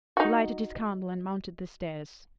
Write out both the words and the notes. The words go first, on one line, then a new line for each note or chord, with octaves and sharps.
He lighted his candle and mounted the stairs.
D#4 F#4